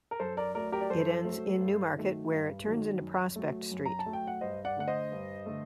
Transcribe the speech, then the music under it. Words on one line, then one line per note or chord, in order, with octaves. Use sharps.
It ends in Newmarket where it turns into Prospect Street.
A#4
F#2 A4 C5
A#4 D5
F#3 A3 A#4 D5
G4 A#4
D5
F#2 A4 C5
F#3 A3
G2
D#3 F#3 A3
G2
D#3 F#3 A3
F#2
F#3 A3
F#2
A#5
A5
F#3 A3
G5
F#5
G2 C5 D#5
D5 F#5
D3 A3 F#5
C5 D#5
G2
D3 A3